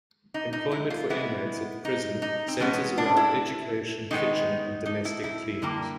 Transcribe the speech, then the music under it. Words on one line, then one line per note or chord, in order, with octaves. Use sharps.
Employment for inmates at the prison centres around Education, Kitchen and Domestic Cleaners.
D#4
D#4
E4
F4
E3 G#3 B3 E4
D#4
D#4
C4
E3 G#3 B3 C#4
D4
E4
D#3 G#3 B3 D#4
D#4
E4
E4
D3 G3 A#3